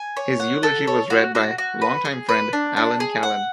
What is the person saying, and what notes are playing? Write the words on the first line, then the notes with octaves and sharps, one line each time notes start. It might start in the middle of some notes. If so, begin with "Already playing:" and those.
His eulogy was read by longtime friend Alan Callan.
Already playing: G#5
C#5
F#5
A4
C#5
F#4
F#4
F#4
B4
G#4
B4
D4
D4
G#4
F#5